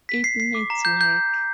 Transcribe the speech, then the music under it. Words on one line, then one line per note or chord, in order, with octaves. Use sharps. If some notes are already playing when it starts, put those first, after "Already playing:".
It needs work.
B6
C7
C7
D6
A#5
G6
G6